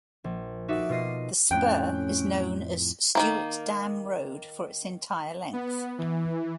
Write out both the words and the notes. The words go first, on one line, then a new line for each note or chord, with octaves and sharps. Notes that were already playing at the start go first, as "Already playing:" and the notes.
The spur is known as Stuart Dam Road for its entire length.
A#1
D#4 F#4 A4 E5 D6
B2 F4 D#5 C7
F2 A2 A3 C#4 G5 F#6 G6
D#3 E3 A#3
B3
E3